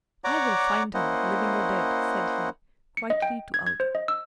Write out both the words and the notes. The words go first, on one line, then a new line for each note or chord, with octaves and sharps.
"I will find him, living or dead," said he quietly to Aouda.
C#5 D5 F#5 A#5 D6
A#3 C#4 E4 C5 D#5 F#5
C#7
D#5
G5
G#6
G#6
C5
D#5
E6